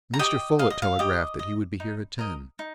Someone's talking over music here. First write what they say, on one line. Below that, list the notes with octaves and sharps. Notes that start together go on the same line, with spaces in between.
"Mr. Folett telegraphed that he would be here at ten."
A#5
G4 D#5 G5
D#5 F5
D#5
F5
G4 D#5
D#5
D#4
A#4 D#5
D#4